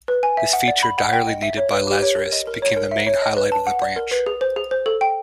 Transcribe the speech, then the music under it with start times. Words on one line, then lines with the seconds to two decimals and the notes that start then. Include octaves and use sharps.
This feature, direly needed by Lazarus, became the main highlight of the branch.
0.08 B4
0.23 G#5
0.37 E5
0.53 F#5
0.68 D5
0.83 B5
0.98 F#5
1.13 G5
1.27 D#5
1.42 E5
1.57 C#5
1.72 B4
1.87 G4
2.02 C#5
2.17 A#4
2.32 D#5
2.47 A#4
2.62 C#5
2.77 A#4
2.91 E5
3.07 C#5
3.22 D#5
3.37 B4
3.52 A5
3.67 F#5
3.82 D5
3.96 A#4
4.11 B4
4.26 G#4
4.41 C5
4.56 G#4
4.71 C5
4.86 A4
5.01 G5